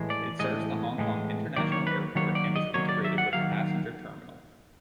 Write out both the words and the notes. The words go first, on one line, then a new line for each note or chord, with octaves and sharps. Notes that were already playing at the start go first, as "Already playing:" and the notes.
It serves the Hong Kong International Airport, and is integrated with the passenger terminal.
Already playing: A2 E3 G#3
D5
A2 E3 G#3 D#5
A2 E3 G#3
D#3 F#3 A#3 D5
C#5
B4
D#3 F#3 A#3 C#5
D5
D#5
D#3 F#3 A#3 C#5
D5
E5
F#5
D#3 F#3 A#3 F5